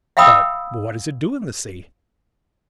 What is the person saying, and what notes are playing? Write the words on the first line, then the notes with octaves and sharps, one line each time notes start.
But what does it do in the sea?
E5 F5 G5 B5 D#6 E6